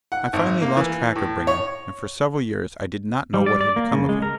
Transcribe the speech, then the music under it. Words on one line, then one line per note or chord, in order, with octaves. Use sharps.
I finally lost track of Brigham, and for several years I did not know what had become of him.
F#5
G#1
A#3
E3
A2
C#5
G3
D5
D5
A#3
C#3
G#3
A#4